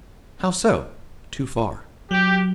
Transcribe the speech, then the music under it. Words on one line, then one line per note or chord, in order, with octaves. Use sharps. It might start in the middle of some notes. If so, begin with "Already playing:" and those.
"How so--too far?"
F#3 G4